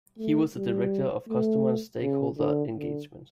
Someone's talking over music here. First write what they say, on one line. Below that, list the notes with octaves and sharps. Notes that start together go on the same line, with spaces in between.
He was the Director of Customer and Stakeholder Engagement.
A3
G3
A3
C#3
D3
D3